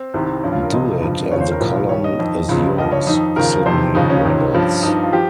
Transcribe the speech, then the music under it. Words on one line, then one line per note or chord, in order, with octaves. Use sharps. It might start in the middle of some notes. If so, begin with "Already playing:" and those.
"Do it and the column is yours." Sidney rebels.
Already playing: C4
C2 C3 D#3
G2 F3 C#4
F4
A#4
C#2 C3 F3 D#5
G2 F3
D#2 C#3 F3 C#5
C5
A#4
C2 A#2 F3
G2 D#3 C#5
D#5
F2 D#3
C#2 C#3 F3
G2 F3 D#5
C#5
F2 D#3 D#4
D#2 C#3 F3 A#4
F2 C3 D#3 C5
D#2 C#3 F3 D#4
C#4
C#2 C3 D#3
G2 F3
G2 F3 D#4
F4
F3 G4